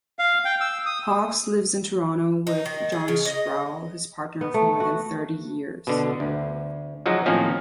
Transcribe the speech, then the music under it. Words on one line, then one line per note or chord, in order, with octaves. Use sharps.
Hawkes lives in Toronto with John Sproule, his partner of more than thirty years.
F5
G5
E6
D#6
D#4
D#3
G#4
C#3
D#5
B3
A3
F#4
B2 D3
D2
F3 F#3 G#3 D#4
A2 D#3 F3 A#3 C4 C#4